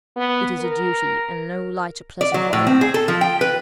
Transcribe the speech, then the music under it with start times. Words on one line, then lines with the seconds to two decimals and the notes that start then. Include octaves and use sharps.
It is a duty--and no light or pleasant one, either.
0.17 B3
0.60 A#4
2.21 D5
2.34 F#3
2.53 A2
2.67 C4
2.81 G#4
2.94 A4
3.08 F3
3.21 G5
3.41 B4